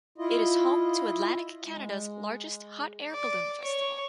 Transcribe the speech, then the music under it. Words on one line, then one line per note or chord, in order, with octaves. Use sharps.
It is home to Atlantic Canada's largest hot air balloon festival.
E4 F4 D#5
G#3
D5
C#5